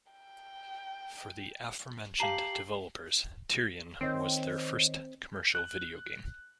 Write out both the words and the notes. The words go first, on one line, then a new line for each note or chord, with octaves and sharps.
For the aforementioned developers, "Tyrian" was their first commercial video game.
G5
G4 F5 A5 A#5 C7 F#7
D#3 C4 C#5 D#5
F#6